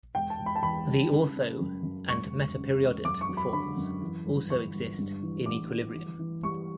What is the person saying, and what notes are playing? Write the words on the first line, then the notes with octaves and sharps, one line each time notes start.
The ortho- and metaperiodate forms also exist in equilibrium.
E1 G5
A5
E1
B5
A5
E2 B5
G3
C#3
C#3
F#2
F#2
E1 C#6
E1
C#3
E1
F#2 D6
C#6
F#3
B5
D3 B5
F#2
E3
G1
E3 C#6
G1
G2
E3
A1 D6
E3
E3
E3
G3 C#6